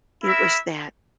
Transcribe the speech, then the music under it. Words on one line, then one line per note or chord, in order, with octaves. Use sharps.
it was that
E4 A#4 E5